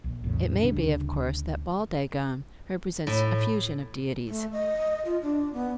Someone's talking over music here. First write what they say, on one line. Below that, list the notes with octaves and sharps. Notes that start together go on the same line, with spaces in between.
It may be, of course, that Baal-dagon represents a fusion of deities.
A#1
E2 A2 C#3
D2 C#3 G3 D4
A2
A3
D#5
F4
D4
B3